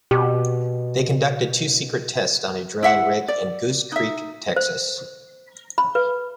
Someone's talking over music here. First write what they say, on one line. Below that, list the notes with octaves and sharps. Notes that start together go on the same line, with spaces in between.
They conducted two secret tests on a drilling rig in Goose Creek, Texas.
B2 G4
E4 E5 F#5
D5
D#4 E5
C5
B5
B4